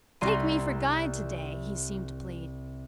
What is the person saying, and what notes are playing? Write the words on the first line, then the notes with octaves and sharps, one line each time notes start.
"Take me for guide to-day," he seemed to plead.
C2 A#4 C6 D#7